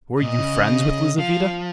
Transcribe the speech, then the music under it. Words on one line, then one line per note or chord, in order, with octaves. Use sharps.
"Were you friends with Lizaveta?"
A#2 D#5
C#3
F3 F5